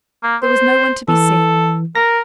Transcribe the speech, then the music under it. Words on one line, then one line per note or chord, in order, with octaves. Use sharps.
There was no one to be seen.
A#3
C5
E3 A4
A#4 A#6